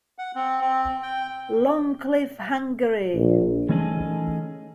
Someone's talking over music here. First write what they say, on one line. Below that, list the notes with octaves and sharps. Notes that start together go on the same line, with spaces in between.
Long live Hungary!
F#5
C4
C4
G5
A#1
E3 A3 C#4 D#4 G#4 A4